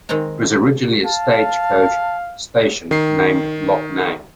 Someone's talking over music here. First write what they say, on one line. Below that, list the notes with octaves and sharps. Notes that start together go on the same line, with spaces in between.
It was originally a stagecoach station named Locknane.
D#3 G#3 C4 G5 A#5
F5 A5
D#3 C7